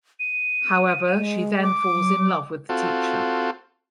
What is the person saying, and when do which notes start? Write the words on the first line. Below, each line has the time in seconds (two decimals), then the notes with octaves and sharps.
However she then falls in love with the teacher.
0.20 D#7
1.15 G#3
1.63 D6
1.93 F#3
2.69 C4 F4 F#4 A4